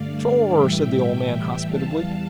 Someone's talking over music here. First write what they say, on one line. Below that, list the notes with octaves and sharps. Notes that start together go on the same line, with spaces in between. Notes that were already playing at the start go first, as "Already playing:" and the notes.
"Shore!" said the old man hospitably.
Already playing: G2 D3 A3 D5 F5
A2 E3 G3 E5 G5
E2 E3 G3 F5 A5